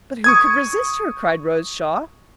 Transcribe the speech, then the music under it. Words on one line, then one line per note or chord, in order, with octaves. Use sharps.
"But who could resist her?" cried Rose Shaw.
C#6 D#6 G#6